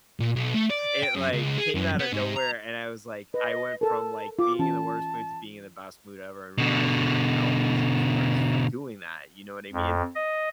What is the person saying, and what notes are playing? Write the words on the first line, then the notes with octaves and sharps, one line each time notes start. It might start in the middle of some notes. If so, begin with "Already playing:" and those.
it, like, came outta nowhere, and I was, like I went from, like, being in the worst mood to being in the best mood ever, and realizing, like, how amazing she was for doing that, you know what I mean?
A#2
B1
A3
D5
G5
F#2
C#2
G#4
F#2
B3
G#2
A#5
B4 D#5
A4 A#4 A5
F4 D6
E3 C#4 A5
B2 D3
F2
D#5